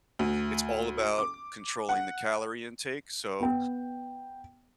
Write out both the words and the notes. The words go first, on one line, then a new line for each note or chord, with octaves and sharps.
It's all about controlling the calorie intake, so
D2
D6
F#5
B3 G5